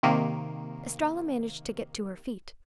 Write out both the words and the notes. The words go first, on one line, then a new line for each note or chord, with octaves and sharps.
Estralla managed to get to her feet.
C3 D#3 A#3